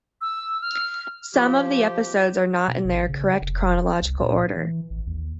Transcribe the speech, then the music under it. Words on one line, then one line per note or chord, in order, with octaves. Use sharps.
Some of the episodes are not in their correct chronological order.
E6
F6
F3 G4
B2
G#1
C#3
F1
C2
A#2
E3
A1
D#2